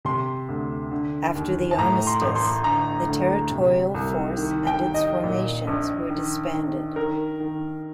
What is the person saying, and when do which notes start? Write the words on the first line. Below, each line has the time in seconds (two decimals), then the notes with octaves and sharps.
After the Armistice, the Territorial Force and its formations were disbanded.
0.05 C3 C6
0.49 D2
0.91 D3
1.35 D#2
1.71 A5
1.77 A2 A#5
2.07 C6
2.22 A1
2.36 C6
2.64 D3 A#5
3.08 D2
3.51 C3
3.94 C2
4.37 D#3
4.67 G5
4.81 D#3
4.94 D#5
5.24 A#2
5.67 A#1
6.10 D#3
6.53 D#3
6.96 D#3 A#4
7.40 D#3